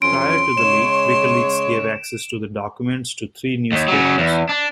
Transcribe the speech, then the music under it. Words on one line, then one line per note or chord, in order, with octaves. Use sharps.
Prior to the leak, WikiLeaks gave access to the documents to three newspapers.
F2 F#3 C#4 C6 D7
C#3 G#3 C#5 E7
D#2
C#3 F#3
E2
D4